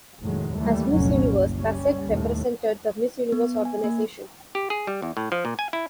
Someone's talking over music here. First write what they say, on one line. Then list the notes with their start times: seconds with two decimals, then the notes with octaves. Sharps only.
As Miss Universe, Pasek represented the Miss Universe Organization.
0.21 F1 A2 D#3 F#3 G#3
0.57 D#2 E3 G3 A3
0.92 F1 C2 A#2 D3 F#3 C#4
1.29 F#1
1.61 G3 C#4
2.07 D#2 A2
3.32 B3
3.65 G#5
3.84 A#3
4.55 G4
4.70 G#4
4.87 G3
5.02 E2
5.17 A2
5.32 F3
5.45 A#2
5.59 G#5
5.73 E4